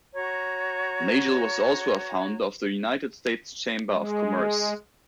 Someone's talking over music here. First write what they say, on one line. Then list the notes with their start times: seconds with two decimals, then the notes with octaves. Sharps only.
Nagel was also a founder of the United States Chamber of Commerce.
0.14 F#4 C#5 A#5
3.90 G#3